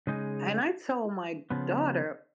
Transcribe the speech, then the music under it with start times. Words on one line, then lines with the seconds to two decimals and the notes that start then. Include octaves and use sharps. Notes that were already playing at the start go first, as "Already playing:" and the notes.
And I told my daughter,
0.07 C#3 G#3 D#4 G#4
1.50 C#3 F3 B3